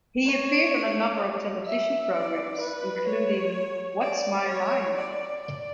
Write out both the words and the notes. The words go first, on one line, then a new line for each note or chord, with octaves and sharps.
He appeared on a number of television programs, including What's My Line?
C#5
E5
D5
B4
C#5
D5
C#5
D5
D5